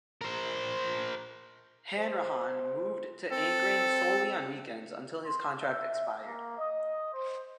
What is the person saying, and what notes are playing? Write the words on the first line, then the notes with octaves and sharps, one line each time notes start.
Hanrahan moved to anchoring solely on weekends until his contract expired.
A#4 C5
C5
C4 A4
C6
E5
A#3
D#5
C5